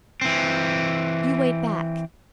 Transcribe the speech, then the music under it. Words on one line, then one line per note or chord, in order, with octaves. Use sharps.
You wait back.
E3 C4